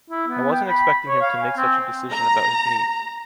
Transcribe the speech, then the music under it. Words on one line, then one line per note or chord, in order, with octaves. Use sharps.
I wasn't expecting him to make such a decision about his knee.
E4
B3
G5
B5
C#5
F5
G#5
C4
A#5